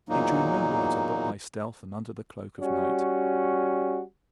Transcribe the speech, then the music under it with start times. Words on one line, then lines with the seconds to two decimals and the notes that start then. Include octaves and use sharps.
He drew no water but by stealth and under the cloak of night.
0.09 E2 A#2 F#3 A#3 D#4
2.59 G3 C#4 F#4